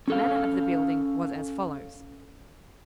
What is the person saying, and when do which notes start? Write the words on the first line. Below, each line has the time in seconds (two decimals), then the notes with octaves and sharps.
The manner of the building was as follows.
0.08 C#4 A4 F5